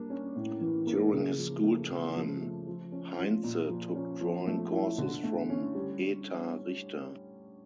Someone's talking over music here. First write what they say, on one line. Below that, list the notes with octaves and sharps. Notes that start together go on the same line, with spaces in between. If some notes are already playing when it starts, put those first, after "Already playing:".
During his school time Heinze took drawing courses from Etha Richter.
Already playing: G3 A#3 D4
C#4
A2
E3
A#3
C#3
F3
A3
C#3
F3
A3
F3
C#4
F4
A#2
F3
C#4
F3
A3
E4
D3
A3
C#4
G3